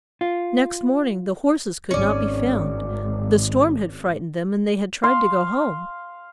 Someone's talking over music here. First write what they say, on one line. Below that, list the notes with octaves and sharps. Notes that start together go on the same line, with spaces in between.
Next morning the horses could not be found; the storm had frightened them, and they had tried to go home.
F4
G#1 C#4 D5
F5 C6